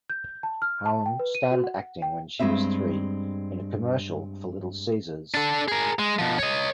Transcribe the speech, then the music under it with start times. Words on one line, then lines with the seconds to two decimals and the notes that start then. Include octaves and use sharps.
Haun started acting when she was three, in a commercial for Little Caesars.
0.10 G6
0.43 A5
0.62 F6
0.86 A5
1.06 G5
1.19 B4
1.35 D#7
1.52 F#4
1.64 F#5
2.02 G5
2.39 G2 G#3 B3 C4 E5
5.34 D4 A4
5.68 G#4 A#4
5.99 G#3
6.19 B2 F3
6.39 C#5 D#5